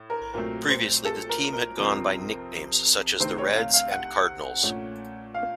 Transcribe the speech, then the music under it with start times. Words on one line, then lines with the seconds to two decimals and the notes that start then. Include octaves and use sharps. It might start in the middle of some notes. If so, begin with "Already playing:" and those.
Previously, the team had gone by nicknames such as the Reds and Cardinals.
Already playing: A2
0.10 A#4
0.33 A#2 F#3 A3 C4 A#4
0.70 C5
1.05 A4
1.29 A#4
1.53 A#4
1.77 F2 C3 F3 C4
3.20 C3 D#3 A3 C4 C5
3.38 C#5
3.56 F5
3.74 F5
3.91 F#5
4.63 A#2 A3 C#4
5.34 F5